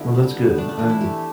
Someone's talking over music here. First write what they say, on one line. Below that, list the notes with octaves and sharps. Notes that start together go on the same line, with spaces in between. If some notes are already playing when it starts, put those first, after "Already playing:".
Well, that's good. And,
Already playing: B2 D3 D4 E4
G3
B3
A3 D4
D4
E3 D4
E4
A3 G4